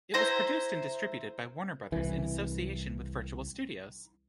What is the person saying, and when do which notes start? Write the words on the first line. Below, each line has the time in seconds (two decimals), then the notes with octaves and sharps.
It was produced and distributed by Warner Brothers in association with Virtual Studios.
0.14 E4 C5 A#5
1.92 C2 E3